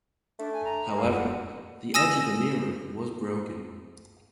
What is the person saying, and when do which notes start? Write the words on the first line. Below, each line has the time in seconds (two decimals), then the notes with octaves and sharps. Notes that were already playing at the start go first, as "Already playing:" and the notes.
However, the edge of the mirror was broken.
0.39 A3 D4
0.52 G#5
0.64 A#5
0.96 A#3 F5
1.08 D3 F#5
1.94 G#5 D#6 E6 A#6 E7